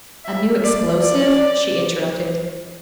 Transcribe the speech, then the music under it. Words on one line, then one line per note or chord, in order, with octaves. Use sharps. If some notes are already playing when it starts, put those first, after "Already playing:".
'A new explosive?' she interrupted.
E5
D5
D5